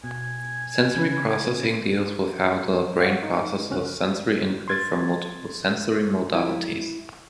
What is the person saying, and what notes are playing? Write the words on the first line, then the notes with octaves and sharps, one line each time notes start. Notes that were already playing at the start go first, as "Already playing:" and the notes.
Sensory processing deals with how the brain processes sensory input from multiple sensory modalities.
B2 G#5
C#3 C#4 B5
C#5 F5 F#5
D#4
C#2 C4 C#4 F#4 F6 F#6
C6 G#6 A6
E4